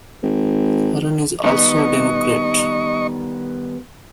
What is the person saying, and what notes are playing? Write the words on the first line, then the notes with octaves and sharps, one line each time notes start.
Horan is also a Democrat.
G#1
D#3 G3 B3 D#5 C#6